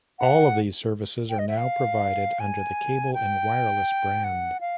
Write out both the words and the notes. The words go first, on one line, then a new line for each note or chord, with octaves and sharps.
All of these services are now provided under the Cable and Wireless brand.
F#5
G5
D#5
E5
F5
G#5
G5
F#5
F5